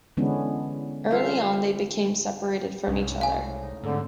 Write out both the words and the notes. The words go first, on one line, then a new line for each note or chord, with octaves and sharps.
Early on they became separated from each other.
D3 E3 G#3 B3 C#4 D4
G3 F4 A4 C5 E5 F5
C2 G#3 C#4
A2 C#3 F5 G#5
D#4
G#2 D3 A3 C4